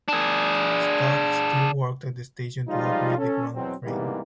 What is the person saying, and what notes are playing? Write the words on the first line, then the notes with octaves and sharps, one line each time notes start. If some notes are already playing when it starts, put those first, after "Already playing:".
Staff still worked at the station to operate the ground frame.
D4 G#4
F3 G3 G#3 D#4 F4
C#4 A4
E2 B2 F#3 C4
G#2 C3 E3 G3 A#3 B3